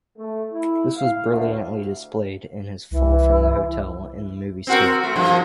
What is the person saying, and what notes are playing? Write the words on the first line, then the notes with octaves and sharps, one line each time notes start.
This was brilliantly displayed in his fall from the hotel in the movie "Stick".
A3
E4
F5
D2
C2 E3
C4 F#4 A#4
A3
G2 F3 A#3